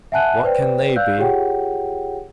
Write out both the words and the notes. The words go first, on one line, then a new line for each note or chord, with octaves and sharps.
What kin they be?
E5 F#5 G#5 A5 F#6 D#7
B4 C5 D5 G5
D5 F5 E6 F#6 G6
F4 G4 G#4 C#5 F#5 G5